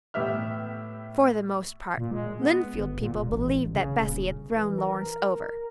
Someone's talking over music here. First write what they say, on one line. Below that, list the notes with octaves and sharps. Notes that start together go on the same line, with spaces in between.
For the most part, Lynnfield people believed that Bessy had thrown Lawrence over.
A2 B3 G4 E5 F6
A#2
G#3
B3
G1
A#2
E1
A1
C#3
D#1
E3
A#4